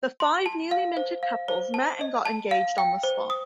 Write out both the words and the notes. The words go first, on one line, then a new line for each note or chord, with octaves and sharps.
The five newly minted couples met and got engaged on the spot.
C6
A5
F5
C5
F5
C5
A5
D#5
A5
F5
G5
C5
D#6